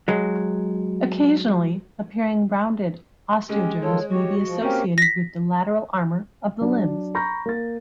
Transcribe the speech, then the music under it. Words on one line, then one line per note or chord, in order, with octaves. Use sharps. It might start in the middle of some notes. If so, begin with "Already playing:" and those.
Occasionally appearing rounded osteoderms may be associated with the lateral armor of the limbs.
F#3 G#3
G#3 C#4 G4
D#3 F4 A4 C#5
F#4 G4 C#5
F3
A#3 C4 C#4 G4 A#4
A#6 B6
F#3 D4
A#5 B5 C#6 G6 A#6
A#3 A6